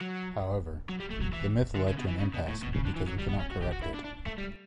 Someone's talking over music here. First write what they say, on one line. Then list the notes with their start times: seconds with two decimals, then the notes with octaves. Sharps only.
However, the myth led to an impasse because we cannot correct it.
0.01 F#3
0.89 F#3
1.00 G3
1.11 A3
1.22 F#3
1.33 E3
1.76 D3
1.88 C#3
1.98 B2
2.08 E3
2.19 C#3
2.34 B2
2.48 A2
2.63 B2
2.74 C#3
2.85 D3
2.96 E3
3.07 F#3
3.18 G3
3.28 B3
3.40 C#4
3.51 F#4
3.62 G4
3.72 F#4
3.82 E4
3.94 D4
4.04 D4
4.26 A3
4.38 G3